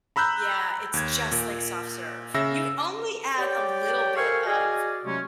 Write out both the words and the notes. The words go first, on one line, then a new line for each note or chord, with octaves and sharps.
yeah, it's just like soft serve. You only add a little bit of,
A#5 B5 E6 F#6 G6
D#2 G#6
A#2
C#3 E5 E6 A#6
G4 C#5 D5 G5
A4 A#4 C5 F5 G#5 C#6
F#4 G#4 D5 D#5 F5 G#5
C3 F#3 G#3 A3 C#4